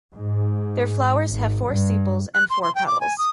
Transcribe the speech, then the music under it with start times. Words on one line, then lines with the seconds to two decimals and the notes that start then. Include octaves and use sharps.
Their flowers have four sepals and four petals.
0.13 G#2
1.30 G#1
1.68 G2
2.34 F#6
2.50 C6
2.63 C6
2.75 G5
2.87 D6
3.01 G#5
3.18 D#6